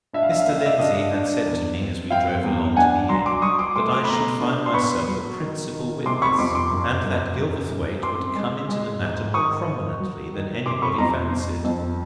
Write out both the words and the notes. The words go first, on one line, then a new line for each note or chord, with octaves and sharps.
Mr. Lindsey had said to me as we drove along to the inn that I should find myself the principal witness, and that Gilverthwaite would come into the matter more prominently than anybody fancied.
D4 E5
F5
E5
F5
A#3 E5
F5
D5 E5
D4 D#5 F5
D4
E2
C4
C4 F5 G5
E2
D4 F#5 G#5
F#3 A#5 C6
C6 D6
F#3 C#6 D#6
C6 D6
A3 C6 D6
C6 D6
B5
B2 A#5 C6
D4
C6
B3 B5 C#6
F#3
D#3
D#3
C3 C6 D6
B5 C#6
F2 C6 D6
C6 D6
F#2
F#2
F#2
F#2
C4 C6 D6
G#3
G#3
G#2
D#3 C#6 D#6
D#3
F#3
D#3
C3 C6 D6
B5 C#6
F2 A#5 C6
F2
F2